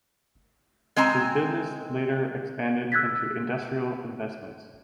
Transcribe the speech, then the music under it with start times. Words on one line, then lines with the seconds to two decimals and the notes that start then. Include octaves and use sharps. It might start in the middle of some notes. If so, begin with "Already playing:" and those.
His business later expanded into industrial investments.
0.96 G#3 C4 G#5 A#5
2.92 E6 F#6 G#6 A6 B6